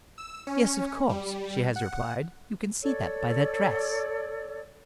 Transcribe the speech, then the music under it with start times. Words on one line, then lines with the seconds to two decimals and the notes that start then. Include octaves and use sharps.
"Yes, of course," she has replied; "you can see that by their dress."
0.18 E6
0.47 C#4
1.09 G3
1.76 F#5
2.83 A4 C#5 D5 E6